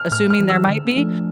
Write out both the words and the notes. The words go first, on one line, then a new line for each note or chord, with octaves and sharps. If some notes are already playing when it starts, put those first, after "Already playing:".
assuming there might be,
Already playing: F6
A2 F6
F6
E3 G3
E6
D3
F3 A3 D4